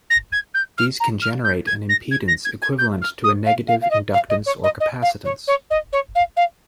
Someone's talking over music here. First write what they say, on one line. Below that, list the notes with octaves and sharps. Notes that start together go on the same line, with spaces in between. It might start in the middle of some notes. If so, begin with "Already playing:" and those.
These can generate an impedance equivalent to a negative inductance or capacitance.
A#6
G#6
G6
F6
A#5
F6
G6
G#6
A#6
G#6
A#6
G#6
G#6
G6
F6
D#6
F5
F5
F5
D#5
F5
D#5
C#5
D#5
D#5
F5
C#5
C#5
D#5
C#5
F5
F5